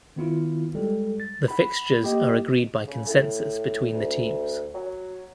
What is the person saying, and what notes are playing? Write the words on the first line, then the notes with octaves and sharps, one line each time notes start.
The fixtures are agreed by consensus between the teams.
D#3 B3 E4 F4
G3 G#3 A4
A6
F#5 B5
A#3 G4 D#5
C#3
A2
D2
F#3